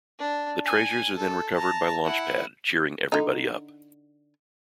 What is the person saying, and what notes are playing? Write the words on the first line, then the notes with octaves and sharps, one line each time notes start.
The treasures are then recovered by Launchpad, cheering everybody up.
D4
G#5
A4
A5 A#5
E4 F#5
D3 D#4